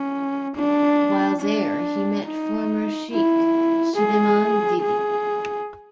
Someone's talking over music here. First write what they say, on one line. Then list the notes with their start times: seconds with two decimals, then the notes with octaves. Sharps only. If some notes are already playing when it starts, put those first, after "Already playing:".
While there, he met former sheikh, Suleiman Dede.
Already playing: C#4
0.56 D4
1.41 D4
2.26 D#4
3.11 E4
3.96 G#4
4.81 G#4